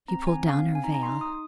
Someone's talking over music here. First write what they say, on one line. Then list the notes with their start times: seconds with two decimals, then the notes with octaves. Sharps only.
She pulled down her veil.
0.08 C4 A#5
0.27 G#5
0.34 C4
0.47 F5
0.59 C4
0.75 G#5
0.84 D#4 A#5
0.94 A#5
1.03 C6
1.09 D#4
1.21 D#6